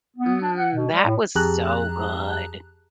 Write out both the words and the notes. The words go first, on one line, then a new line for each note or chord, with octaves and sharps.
"Mm, that was so good."
B3
D4
F#5
B2
G3
A2
F2 G4 G#4 A5 A#5 F#6